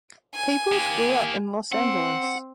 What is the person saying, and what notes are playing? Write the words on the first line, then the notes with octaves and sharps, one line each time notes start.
Peoples grew up in Los Angeles.
G#5
A#3 G4
C4 F#5